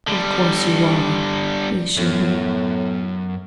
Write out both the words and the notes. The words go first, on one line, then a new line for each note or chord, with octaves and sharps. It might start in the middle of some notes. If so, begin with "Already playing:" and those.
"Of course you are," he assured her.
D3 G3
F#2 A2 B3